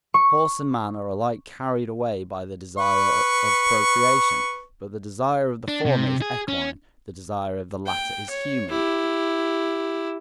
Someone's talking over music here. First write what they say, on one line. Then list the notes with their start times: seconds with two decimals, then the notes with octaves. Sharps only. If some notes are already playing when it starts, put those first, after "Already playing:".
Horse and man are alike carried away by the desire of procreation; but the desire of the former is equine, the desire of the latter is human.
0.14 C#6
2.78 B4 C#6
5.68 D4
5.86 C3
6.22 G#4
6.48 C#4
7.86 G5
8.30 C#5
8.70 E4 G4